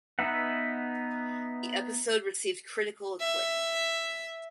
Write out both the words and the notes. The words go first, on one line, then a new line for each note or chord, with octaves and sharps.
The episode received critical acclaim.
B3 D#4 B4 E5 F#5
E5